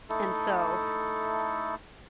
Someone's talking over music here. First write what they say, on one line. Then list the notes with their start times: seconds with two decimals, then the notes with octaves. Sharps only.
and so
0.10 A3 D#4 E4 A4